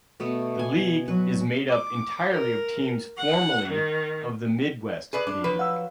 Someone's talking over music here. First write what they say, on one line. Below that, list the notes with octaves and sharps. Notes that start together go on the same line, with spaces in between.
The league is made up entirely of teams formerly of the Midwest League.
B2 A3 B3
G#5
F#3 B4
D6
A#4
F#5
D#3
G#4 B4 D5
D4 D6
F3 F#3 B4
F5 F#5 E6